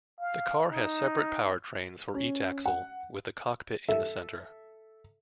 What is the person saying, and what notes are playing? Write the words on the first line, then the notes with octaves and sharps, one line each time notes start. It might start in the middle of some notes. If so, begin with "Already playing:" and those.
The car has separate powertrains for each axle, with the cockpit in the center.
F5
D#4
C#4
F#5
A4 E5